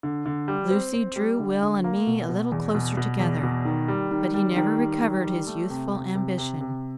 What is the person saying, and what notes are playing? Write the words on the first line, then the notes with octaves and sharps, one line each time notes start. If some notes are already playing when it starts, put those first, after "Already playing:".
Lucy drew Will and me a little closer together, but he never recovered his youthful ambition.
D3
D3
G3
C4
C4
G3
D3
D3
A#3
B2
B2
E2
B2
B2
E2
B2
D#3
G3
D#3
G3
D#3
G3
D#3
G3
A3
C3
C3
C3
C3
C3